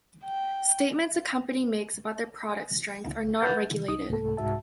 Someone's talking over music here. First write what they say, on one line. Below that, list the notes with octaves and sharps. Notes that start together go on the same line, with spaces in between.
Statements a company makes about their product strength are not regulated.
G5
C#2
B4 F#5 G6 A6
C3 D#3 E3
C2 D#4 D#6
C2 G#2 A3 A4
C2 G#2 F#4 E5 A5